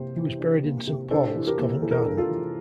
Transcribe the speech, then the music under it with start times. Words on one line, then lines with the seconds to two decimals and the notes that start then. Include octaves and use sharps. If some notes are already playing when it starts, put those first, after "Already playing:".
He was buried in Saint Paul's, Covent Garden.
Already playing: C3 A#3 C5
0.16 E3
0.40 D4
0.63 A#3
0.87 C3
1.11 D4 A4 C5
1.36 E3
1.47 G4 A#4
1.58 A#3
1.82 E3 A4
1.91 A#4
2.00 A4
2.05 D4 A#4
2.17 F4 A4
2.30 E3